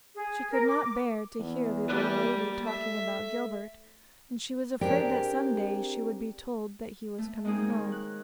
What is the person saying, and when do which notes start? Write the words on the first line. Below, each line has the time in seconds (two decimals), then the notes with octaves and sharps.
She could not bear to hear the old lady talking about Gilbert, and she was afraid that some day she would be told that he was coming home.
0.15 G#4
0.50 A#4
0.65 D6
1.39 E2
1.88 G3 A#3
2.64 A3 E5
4.81 C4 D4 G4 G#4 A#4
7.18 A3
7.45 G#3 A#3 C4 D#4 G#4
7.68 D#3 C#5
7.92 F#6